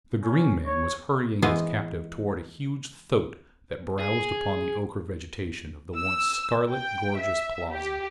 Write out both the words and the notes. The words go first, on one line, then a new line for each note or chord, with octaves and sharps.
The green man was hurrying his captive toward a huge thoat that browsed upon the ochre vegetation of the once scarlet-gorgeous plaza.
C#4
C#5
E3 G#3 B3 G#4 B4 C5
G#4
E6
G5
E5
G4